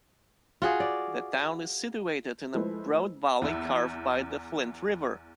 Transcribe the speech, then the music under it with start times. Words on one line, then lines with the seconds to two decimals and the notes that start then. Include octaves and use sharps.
The town is situated in a broad valley carved by the Flint River.
0.62 F4 F#4 G#4
0.80 D5
2.54 F3 G#3 A3 E4 B4 C5
3.42 E2 E4